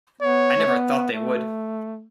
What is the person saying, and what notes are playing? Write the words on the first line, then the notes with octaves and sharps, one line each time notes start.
I never thought they would.
B3 C#5
A3
B3
A3